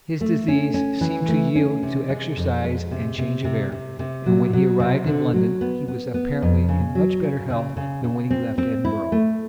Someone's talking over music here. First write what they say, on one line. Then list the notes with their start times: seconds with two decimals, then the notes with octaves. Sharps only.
His disease seemed to yield to exercise and change of air; and when he arrived in London, he was apparently in much better health than when he left Edinburgh.
0.21 A3
0.48 C#4
0.74 C#4
1.01 E3
1.29 A3
1.55 C#4
1.82 C3
2.10 G#3
2.37 F2
2.64 G#3
2.91 C3
3.18 C3
3.44 C3
3.72 C3
3.99 C3
4.26 F#3
4.53 F#3
4.80 C3
5.07 D3
5.33 F#3
5.61 B3
5.88 B3
6.14 B3
6.42 F2
6.69 C#3
6.95 F#3
7.23 C#3
7.50 C#3
7.77 C#3
8.04 C#3
8.30 C4
8.58 C4
8.85 E4
9.12 A3